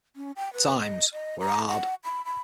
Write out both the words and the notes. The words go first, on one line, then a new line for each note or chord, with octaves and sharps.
Times were hard.
C#4
G5
B4
D#5
D#5
A#5
F#5
B5
B5